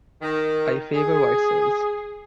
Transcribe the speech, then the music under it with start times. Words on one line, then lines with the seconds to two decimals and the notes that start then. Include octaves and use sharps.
I favor white sails.
0.22 D#3
0.94 G#4